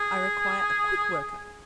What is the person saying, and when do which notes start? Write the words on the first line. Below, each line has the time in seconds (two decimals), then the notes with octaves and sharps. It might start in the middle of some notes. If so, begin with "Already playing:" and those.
I require a quick worker.
Already playing: G#4